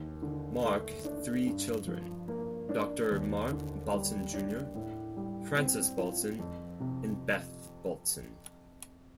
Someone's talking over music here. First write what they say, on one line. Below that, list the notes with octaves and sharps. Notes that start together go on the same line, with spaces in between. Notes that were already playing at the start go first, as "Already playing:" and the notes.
Marc had three children: Doctor Marc Baltzan Junior, Frances Baltzan and Beth Baltzan.
Already playing: D#2
D3
A3
D4
G2
F3
A#3
D4
D#2
D3
G3
D4
A2
G3
C4
F4
F2
C3